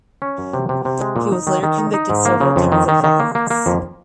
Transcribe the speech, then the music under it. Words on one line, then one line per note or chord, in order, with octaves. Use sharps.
He was later convicted several times of violence.
C#4
F#2
C3
C3
C3
G#3
A#2
D#4
D#3
D#3
D#4
D#4
G#2
A#3
C#3
F2
D#3
D#3
D#3
A#3
A#3
A#3
F2